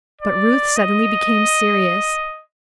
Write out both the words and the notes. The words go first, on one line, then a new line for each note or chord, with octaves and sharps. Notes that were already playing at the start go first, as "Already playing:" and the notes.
But Ruth suddenly became serious.
D5
D#5